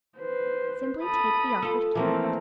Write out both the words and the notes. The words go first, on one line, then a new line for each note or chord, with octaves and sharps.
"Simply take the offered gift."
B4 C5
A4 B5 D#6
F4 A4
E3 F3 A3 A#3 C4 A#4